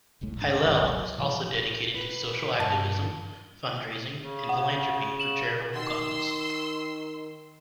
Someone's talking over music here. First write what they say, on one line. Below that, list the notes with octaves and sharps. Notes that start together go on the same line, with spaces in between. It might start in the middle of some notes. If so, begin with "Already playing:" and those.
Hillel is also dedicated to social activism, fundraising, and philanthropy for charitable causes.
D1 B1 A2 G#3
G#2 D4
D#1 G#2 F3 G#3
F#1 C#2 F#3
A2 C3 E3 F3
B4
G2 A5
C#3
F#5
E7 F#7
D#3 C6 E6